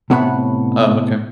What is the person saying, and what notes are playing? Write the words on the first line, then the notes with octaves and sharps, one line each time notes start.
Oh, okay.
A2 C3 B3 C#5 F#5 B5